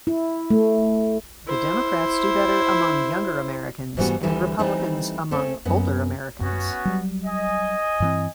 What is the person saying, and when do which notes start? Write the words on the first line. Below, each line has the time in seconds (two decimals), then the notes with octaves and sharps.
The Democrats do better among younger Americans and Republicans among older Americans.
0.07 E4
0.50 A3
1.47 E4 C5
3.97 G#2 E3 G3 A3 B3 F#4
4.23 D2 D3 E3 G3 A4 B4
4.59 E3 G3 A3 C4 D#4
5.31 A3 C4 C#4 A4
5.65 F#2 B3
6.41 F#2 B3 C#4 F#4
6.85 F#3 G3
7.25 D#5 G#5
8.00 G2 E3 C4